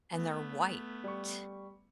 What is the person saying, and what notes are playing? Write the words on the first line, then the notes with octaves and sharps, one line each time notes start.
and they're white,
A3 B3
G3 C#6